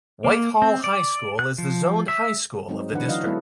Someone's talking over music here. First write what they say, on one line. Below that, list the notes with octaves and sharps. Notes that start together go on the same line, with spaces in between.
White Hall High School is the zoned high school of the district.
A#3
C4
D5
F#6
F3
E5
F#3 G#3 C4 D#4
D3 E3 D4 B4 F#5
E3 F#3 D#4 F#4 D#5 F5
F#3 G#3 B3 E4 A4 B4